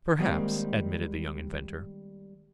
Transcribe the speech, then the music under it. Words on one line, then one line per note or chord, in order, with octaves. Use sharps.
"Perhaps," admitted the young inventor.
D#3 G3 G#3 A#3 C4